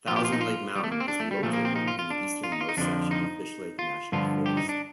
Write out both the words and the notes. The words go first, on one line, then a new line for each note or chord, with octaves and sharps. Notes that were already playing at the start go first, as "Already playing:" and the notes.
Thousand Lake Mountain is located in the easternmost section of Fishlake National Forest.
A#2 F3 F4
G4
F4
D#4
F4
G3
A3
A#3
C4
D4
A3
G3
A#2 F3 A3
A#3
C4
D#4
F4
F4
D4
F4
D#4
F4
D#4
F2 D3 F3 D4
D#4
F4
G2 D3 F3 F4
G4
D#4
D4